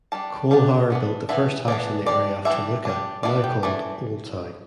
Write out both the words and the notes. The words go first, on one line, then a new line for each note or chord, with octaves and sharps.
Colehower built the first house in the area of Toluca now called Old Town.
G3 D4 A5
G3 B3 D4 A5
E3 B3 D4
E3 B3 D4 E5
E3 B3 D4 D5
G3 D4 D5
E3 G3 D4 E5
G3 D4
E3 B3 D4 D5
G5
E3 A3 D4 D5